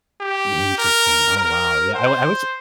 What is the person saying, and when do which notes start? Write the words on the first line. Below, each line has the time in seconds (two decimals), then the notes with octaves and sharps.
Interesting. Oh wow. Yeah, I wi I wish
0.21 G4
0.78 A#4
1.37 A#4
1.95 C5